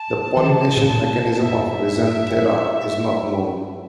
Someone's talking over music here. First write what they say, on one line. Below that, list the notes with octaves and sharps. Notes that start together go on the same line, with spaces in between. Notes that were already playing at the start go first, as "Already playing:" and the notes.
The pollination mechanism of "Rhizanthella" is not known.
Already playing: A5
E3
D3
C3
A#2
A#2
C3
A#2
G2 E5
F2
G2